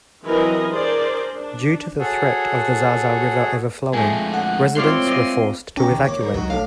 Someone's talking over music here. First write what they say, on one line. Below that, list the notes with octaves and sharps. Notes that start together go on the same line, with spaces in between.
Due to the threat of the Zaza River overflowing, residents were forced to evacuate.
E3 F#3 C4 A#4 B4 D#5
D4 G#4 A#4 C5 D5
D4
F#4 G#4 A4 C#5
F2 D3 G#3 A3
F#5
C4 E4 F4 C#5 D5 F5 C6
D5 D#5 F5
C#4 G4 A#5 C#6
D2 D3 D#3 G#5
A#3 C#5 D6
G3 A#4 C5
C#2 F#3 D#4 F#4
B1 A2 D4 D#4 F5